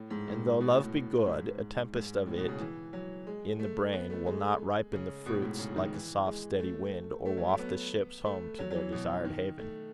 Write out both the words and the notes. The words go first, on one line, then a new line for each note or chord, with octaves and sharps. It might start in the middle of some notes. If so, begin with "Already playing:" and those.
And, though Love be good, a tempest of it in the brain will not ripen the fruits like a soft steady wind, or waft the ships home to their desired haven.
Already playing: A2
G#2
A2
B2
A2
A2
G#2
G#2
A2
B2
C#3
E3
F#3
G#3
A3
B3
A3
G#3
C#3
B2
A2
G#2
C#3
D#3
E3
G#3
A3
A3
F#3
A3
B3
A3
F#3
F#3
E3
B2
D#3
A3